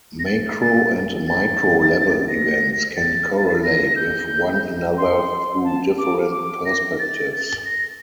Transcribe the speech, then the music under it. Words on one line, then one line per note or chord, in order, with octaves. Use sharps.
Macro and Micro level events can correlate with one another through different perspectives.
A#6
A6
A6
A6
A#6
A6
A#6
G6
C6
A5
D6
D6
A#6
A6
A6
A#6